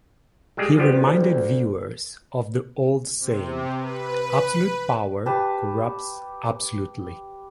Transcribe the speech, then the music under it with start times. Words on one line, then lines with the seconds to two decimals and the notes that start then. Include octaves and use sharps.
He reminded viewers of the old saying "absolute power corrupts absolutely".
0.57 G3 G#3 G#4
0.77 D2 F3 G3 B3
3.18 C3
3.78 B4
5.26 G4 B4 A5